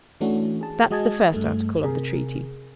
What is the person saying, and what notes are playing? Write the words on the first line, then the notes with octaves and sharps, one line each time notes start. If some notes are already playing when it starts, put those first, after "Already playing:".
That's the first article of the treaty.
E3 A3 C#4 D4 F#4
G#4 A5
G#3 F#4 D#5 G#5 A5 G#6
G2 A3
C3 G#4 A#4